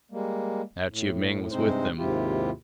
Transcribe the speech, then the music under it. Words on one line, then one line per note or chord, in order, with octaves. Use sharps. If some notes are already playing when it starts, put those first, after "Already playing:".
Now Chiu-Ming was with them.
G3 G#3 A#3
A2
G2 C3 G#3 C4 D#4 C5
D#2 G#2 C3 E4 F4 G4